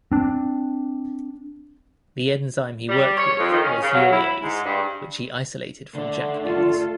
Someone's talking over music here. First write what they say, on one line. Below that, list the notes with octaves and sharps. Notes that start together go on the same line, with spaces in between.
The enzyme he worked with was urease, which he isolated from jack beans.
C4 D4
G3
C#5
F2
D#3
C#4
C#3
F#3
E4
G#2
G2
D3 A3 D5
F4 A4